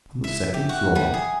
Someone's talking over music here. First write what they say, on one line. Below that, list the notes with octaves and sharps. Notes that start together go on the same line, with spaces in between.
"On the second floor?"
E5
G4
F#4
G3
G#4